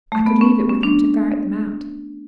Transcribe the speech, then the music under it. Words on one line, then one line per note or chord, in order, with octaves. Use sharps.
I could leave it with him to ferret them out.
A3
B3
C#4
C#4
D4